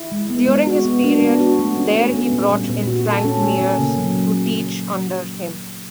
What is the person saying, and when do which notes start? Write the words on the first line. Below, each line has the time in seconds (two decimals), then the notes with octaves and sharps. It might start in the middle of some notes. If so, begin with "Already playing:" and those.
During his period there he brought in Frank Mears to teach under him.
Already playing: E4
0.12 G#3
0.30 B3
0.48 G#3
0.67 F#4
0.85 B3
1.04 D4
1.22 B3
1.40 F#4
1.59 A3
1.77 C#4
1.96 A3
2.14 B3
2.33 A#2
2.51 G3
2.69 A#2
2.87 F#4
3.06 A4
3.25 C#4
3.43 A3
3.61 A#3
3.79 C#3
3.98 F#3